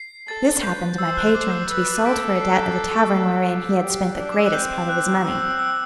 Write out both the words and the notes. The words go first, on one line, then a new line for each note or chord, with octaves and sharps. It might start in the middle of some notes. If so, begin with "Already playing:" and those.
This happened to my patron, to be sold for a debt of a tavern wherein he had spent the greatest part of his money.
Already playing: C7
A4 A6
B4 G6
C5 E6
F#6
D6
E6
B4 E6
A4 B6 D7
C7
A6
G4
D4
D6
E6
F#6
C4 G6
F#6
C4 E6
E6
E6